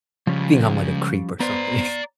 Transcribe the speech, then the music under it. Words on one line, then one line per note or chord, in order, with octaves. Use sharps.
think I'm like a creep or something.
C#2 F3 G3 C#4
B3 B4 C5 D5 A#5